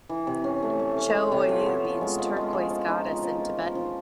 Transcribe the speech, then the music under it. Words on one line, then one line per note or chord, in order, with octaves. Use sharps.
Cho Oyu means "Turquoise Goddess" in Tibetan.
E3
C3
C#4
A3
A3
C#4
C#4
C3
F3
B3
F3
G#3
F3
G#3
F3
F3
D#4
F3
F3
A#3
F3
F3